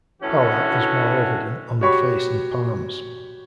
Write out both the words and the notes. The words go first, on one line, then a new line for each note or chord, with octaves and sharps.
Pallor is more evident on the face and palms.
A2 D3 E3 C#4 F#4
F#4 G4 C#5 B5 C#6